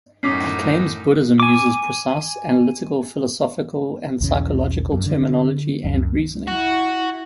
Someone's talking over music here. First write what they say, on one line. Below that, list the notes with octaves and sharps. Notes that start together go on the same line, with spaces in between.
He claims Buddhism uses precise, analytical philosophical and psychological terminology and reasoning.
F#2 A2 C#4 D#4 D6 B6 C7
G#5 D6
B1 E2 C#3
F#2
D3
C#2 F#2
E4 F#4